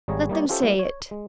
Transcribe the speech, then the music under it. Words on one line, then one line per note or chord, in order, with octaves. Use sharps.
Let them say it.
G#1 G3 G#4 C#5 G#5 A#5
G3 A#3 D#4 C#5 D5
C#4 F4 G4 A4 C5 E5
G3 A#3 E4 B4
C#5
G#3